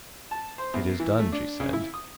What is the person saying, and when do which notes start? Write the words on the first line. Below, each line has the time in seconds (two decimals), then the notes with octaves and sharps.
"It is done," she said.
0.31 A5
0.58 C5
0.74 E2
1.00 E3
1.19 A3
1.32 D4
1.60 C#3
1.73 E4
1.94 D#6